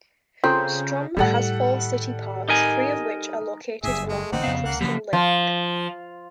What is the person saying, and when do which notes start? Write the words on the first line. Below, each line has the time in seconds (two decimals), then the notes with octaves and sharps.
Strum has four city parks, three of which are located along Crystal Lake.
0.44 C#3 C4 F4 A4 A#5 C6 G6
1.17 A2 D#3 G3 A4 F#5
2.49 D#4 A#4 G#5
3.83 F#1 G2 G#4 E5
4.09 G#3 A3
4.32 A1 D3 A#3 C4 D#4 F#5
4.44 F2 C#3 B3 F5
4.65 C#2 A#3 F#5
4.81 C#3 F3 F#3 A#3 B3 G4
5.13 F3